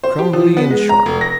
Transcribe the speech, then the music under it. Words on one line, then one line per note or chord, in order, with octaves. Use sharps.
Crumbly and sharp.
C5
G4
F3
B3
G#3
A#5
F1
A#6